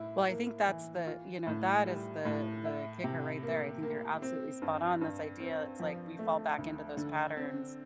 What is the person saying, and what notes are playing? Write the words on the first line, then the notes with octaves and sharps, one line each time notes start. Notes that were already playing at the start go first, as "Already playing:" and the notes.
Well, I think that's the you know, that is the the kicker right there; I think you're absolutely spot on. This idea, it's like we fall back into those patterns
Already playing: A2 E4
A#3
E3
F4
A2
G3
A2
E4
C3
A#3
A#3
C4
G2
G2
C4
F3
A3
D2
D3
C4